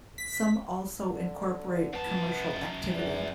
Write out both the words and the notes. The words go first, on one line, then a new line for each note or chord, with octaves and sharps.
Some also incorporate commercial activity.
B6
D3
F#2 B3 A5
E2